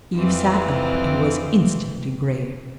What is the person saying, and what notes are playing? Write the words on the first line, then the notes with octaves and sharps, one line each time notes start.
Eve sat up and was instantly grave.
F2 E3 C4